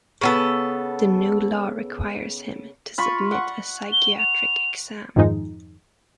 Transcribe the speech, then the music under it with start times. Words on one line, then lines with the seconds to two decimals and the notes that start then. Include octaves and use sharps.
The new law requires him to submit to a psychiatric exam.
0.21 C#3 B3 A4
2.98 F4 B5 C#6
3.31 F#5 C#6
3.92 G7
4.19 F7
5.16 F2 G#2 D#3 F3 G#3 D#4